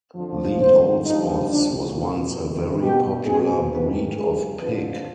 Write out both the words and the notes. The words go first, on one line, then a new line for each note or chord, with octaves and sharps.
The Old Spots was once a very popular breed of pig.
F2 D3 F3
F2 D#3 C5
G2 D3 F3 D#4
G2 F3 D4
B2 F4
F2 C3 D#3
B2 G4
B2 G#4
F2 C3 D#3 B4
G2 F3 G#4
F2 D3 F3 B4